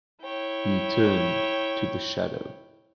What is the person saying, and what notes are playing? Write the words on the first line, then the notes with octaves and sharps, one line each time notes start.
He turned to the Shadow.
E4 C#5 G5